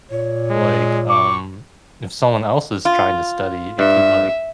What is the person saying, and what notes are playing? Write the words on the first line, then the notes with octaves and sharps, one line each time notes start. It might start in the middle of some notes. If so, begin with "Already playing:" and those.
like, um, if someone else is trying to study, it could, like
A#2 C#5
G#3
C#6 D6
F4
G2 E5